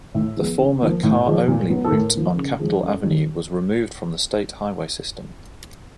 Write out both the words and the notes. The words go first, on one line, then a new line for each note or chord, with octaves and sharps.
The former car-only route on Capitol Avenue was removed from the state highway system.
A2 E5
F3 G#3 B3
C#3
F3 A#3
A2
F3 G#3
A#2
F#3 B3
A4
A2 A#4
F3 A#3
C#3
F3 G#3
F#2 A4
D#3 G3